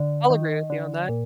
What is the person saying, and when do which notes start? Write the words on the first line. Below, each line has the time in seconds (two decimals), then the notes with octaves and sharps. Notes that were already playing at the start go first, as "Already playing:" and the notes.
I'll agree with you on that.
Already playing: D3
0.30 D#3
0.70 D3
1.09 A#2